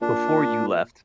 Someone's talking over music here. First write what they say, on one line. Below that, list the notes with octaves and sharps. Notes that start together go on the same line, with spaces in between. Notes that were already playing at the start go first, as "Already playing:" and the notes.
Before you left,
A#2 D4